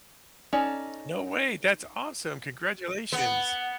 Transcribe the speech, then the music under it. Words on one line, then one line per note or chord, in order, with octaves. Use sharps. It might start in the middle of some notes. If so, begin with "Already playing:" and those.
No way, that's awesome. Congratulations.
C#4 D#4 A4 D5
B3